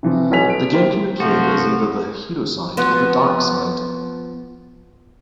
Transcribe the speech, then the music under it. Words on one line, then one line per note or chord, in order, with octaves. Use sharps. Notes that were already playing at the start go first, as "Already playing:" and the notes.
The game can be played as either the "Heroside" or the "Darkside".
C3 E3 F3
B1 B4 G#5 B6 F7
D7
A#3 E4 G4 A#4 C5
C2 F3 A3 F#4
F3 B3 F#4